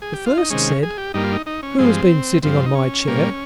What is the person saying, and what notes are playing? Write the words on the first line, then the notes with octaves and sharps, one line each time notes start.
The first said, "Who has been sitting on my chair?"
G#4
G4
F4
D#4
C3 D#3 G#3 C#4
G#4
G4
G2 G3 A#3 D#4
F4
D#4
D#4
C#4
G2 F3 G#3 C4
G2 F3 C4
D#4
C#4
A#2 G3 A#3